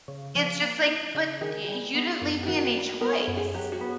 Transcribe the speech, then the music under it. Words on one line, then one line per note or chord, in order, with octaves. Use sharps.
it's just like, but y you didn't leave me any choice,
C#3
F3
A#3
D#4
C#3
D#3 G#4
G3
B3
F#2
G4
D#3 F#4
G3
B3 A#4
A4
F#2
G#4
F#3 G4
F#4
B3